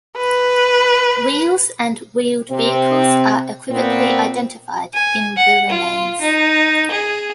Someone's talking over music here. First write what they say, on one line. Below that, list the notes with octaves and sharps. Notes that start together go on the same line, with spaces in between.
Wheels and wheeled vehicles are equivocally identified in the remains.
B4
C3 C4
A#2 B3 C4
G#5
F#5
F4
D#4
G#4